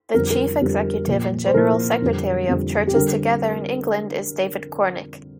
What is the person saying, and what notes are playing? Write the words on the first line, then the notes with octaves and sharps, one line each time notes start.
The chief executive and general secretary of Churches Together in England is David Cornick.
F2 D3 G3 A#4
A#4
F2 D3 G3
A#2 F3
C5
A#2 F3 A#4
F2 D3 G3
F2 D3 G3
G4
D3 G3 A#4